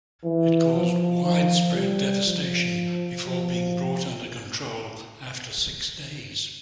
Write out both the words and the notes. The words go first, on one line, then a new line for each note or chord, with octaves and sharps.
It caused widespread devastation, before being brought under control after six days.
E3
F3
F3
G3
F3
F3